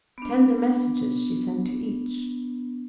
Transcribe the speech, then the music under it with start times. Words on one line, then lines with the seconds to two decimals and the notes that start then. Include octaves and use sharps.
Tender messages she sent to each.
0.18 B3 D4